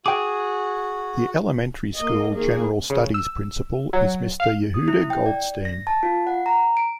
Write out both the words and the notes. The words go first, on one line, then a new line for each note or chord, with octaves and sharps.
The elementary school general studies principal is Mr. Yehuda Goldstein.
F#4 G#4 G5 D6
A#3 D#5
D#3 A#3 G#4
C#3
E6
F#3
F5
D#6
E4
G5
D5
A#6
A5
F4
F#5
A#5
D7